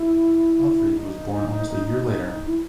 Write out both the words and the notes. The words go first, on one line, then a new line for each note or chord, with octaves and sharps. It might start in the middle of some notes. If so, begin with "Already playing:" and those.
Alfried was born almost a year later.
Already playing: E4
D#4
E4